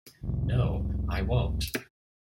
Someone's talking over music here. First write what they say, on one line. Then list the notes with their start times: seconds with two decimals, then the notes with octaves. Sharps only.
No, I won't!
0.23 F1 C2